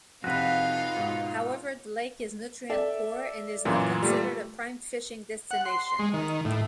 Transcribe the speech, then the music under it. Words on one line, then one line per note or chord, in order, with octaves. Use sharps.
However, the lake is nutrient-poor and is not considered a prime fishing destination.
F2 C3 D#4 F4 F#4 B4 F5
G#2 B2
A4 D5 E5
F#2 A#2 E3
G3 A3 A#3 F4
F#5
C6
G#3
D#3
A2